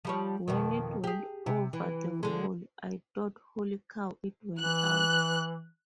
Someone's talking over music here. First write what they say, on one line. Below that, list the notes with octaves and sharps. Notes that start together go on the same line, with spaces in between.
When it went over the wall, I thought, 'Holy cow, it went out.
F3 G3 C#5
F2 B2 D#3
G4 G#4
C3
E3
D3 G#3
E3 F#6